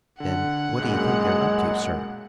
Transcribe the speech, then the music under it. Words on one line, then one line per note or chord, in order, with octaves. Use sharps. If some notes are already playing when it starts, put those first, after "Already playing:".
"Then what do you think they're up to, sir?"
D3 F#5
B1 F#2 A#2 G#3